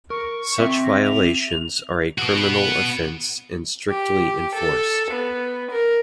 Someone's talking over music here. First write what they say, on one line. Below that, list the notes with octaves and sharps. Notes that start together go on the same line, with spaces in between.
Such violations are a criminal offense and strictly enforced.
A#4 C#6
C4 E5
A#6
F7
B3 F#4
G4
A4
B3
A#4